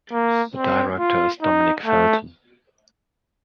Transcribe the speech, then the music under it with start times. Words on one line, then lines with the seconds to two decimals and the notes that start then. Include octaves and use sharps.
The director is Dominique Felten.
0.12 A#3
0.56 C4
0.99 F4
1.42 D#4
1.86 A3